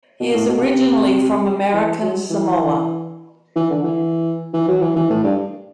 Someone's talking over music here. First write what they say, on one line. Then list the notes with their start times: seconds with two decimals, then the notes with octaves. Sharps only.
He is originally from American Samoa.
0.20 B2
0.34 A2
0.48 B2
0.62 C3
1.73 E3
2.01 F#3
2.30 E3
3.56 E3
3.70 D3
3.84 E3
4.53 E3
4.68 F#3
4.81 E3
4.96 E3
5.10 A2
5.24 G2